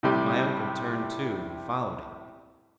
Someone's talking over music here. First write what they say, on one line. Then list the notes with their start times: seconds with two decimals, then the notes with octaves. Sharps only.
My uncle turned too, and followed it.
0.03 A2 C3 G3